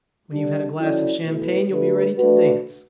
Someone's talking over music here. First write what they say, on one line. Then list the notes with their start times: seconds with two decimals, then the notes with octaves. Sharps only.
When you've had a glass of champagne, you'll be ready to dance.
0.30 D3 G3 D4
0.76 F#3 C#4 E4 A4 D5
1.23 B2 A3 E4 B4
1.70 D3 A3 D4 G4 B4
2.17 A3 D4 F#4 B4